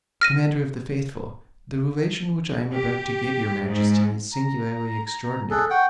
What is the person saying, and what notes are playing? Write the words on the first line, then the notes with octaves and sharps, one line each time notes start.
Commander of the faithful, the relation which I am about to give your majesty is singularly extraordinary.
F6 A#6 D#7
G4
G#2
A#5
G#4 A4 F#6
F#5 G5 C#6